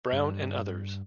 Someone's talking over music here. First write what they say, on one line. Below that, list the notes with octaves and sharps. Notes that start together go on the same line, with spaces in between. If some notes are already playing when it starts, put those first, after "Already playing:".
Brown and others.
G2